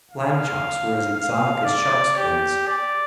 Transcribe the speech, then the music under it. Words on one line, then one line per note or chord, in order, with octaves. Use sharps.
Lamb chops were as exotic as sharks' fins.
F5
F5
D5
G4
D5